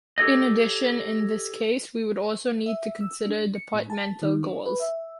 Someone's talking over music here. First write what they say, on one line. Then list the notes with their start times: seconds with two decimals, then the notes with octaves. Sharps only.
In addition, in this case, we would also need to consider departmental goals.
0.18 G4 A4 C#5 D#5
2.66 E5
3.01 E6
3.26 D4
3.55 C#7
3.74 A2
3.90 A5
4.22 D#3
4.43 D4
4.66 B4
4.80 E5